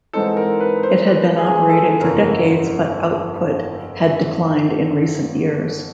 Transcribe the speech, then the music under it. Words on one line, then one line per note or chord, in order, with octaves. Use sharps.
It had been operating for decades but output had declined in recent years.
G#2 E3 G#3 C4 D#4 A4
A#4
B4
C5
B4
G#4
A4
G1 F2 C#3 E3 A#4